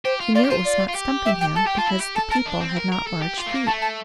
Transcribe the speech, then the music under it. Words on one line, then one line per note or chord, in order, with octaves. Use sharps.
He knew it was not Stumpinghame, because the people had not large feet.
G4 C5
F4
F4 D5
G4
F4 C5
D5
F4
G4
E5
G5
A4 A5
G4 G5
F4 A5
E4
G4
A4 A5
A#4 A5
D4
C4
A#4
A#4
A4
G4
F4
A3
A#3
A3 A5
A5